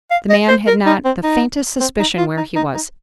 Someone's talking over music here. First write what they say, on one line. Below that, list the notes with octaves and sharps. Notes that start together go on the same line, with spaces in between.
The man had not the faintest suspicion where he was.
F5
D#5
C5
A#4
D#4
C4
D#4
C4
D#4
F4
D#4
D#4
D#4